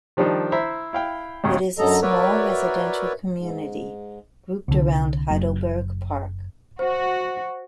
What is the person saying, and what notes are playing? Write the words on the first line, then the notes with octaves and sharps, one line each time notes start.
It is a small residential community, grouped around Heidelberg Park.
D#3 F3 G3 D4 D#4
E4 C5 E5 A#5
E4 F5 G5
B1 G2 C#3 G#3
F#2 D3 F#3 A4 D#5 A#5
F#4 A#4 B4 C#5 D5 E5
G#2
C2 D3
F#1 F#2
F#4 C5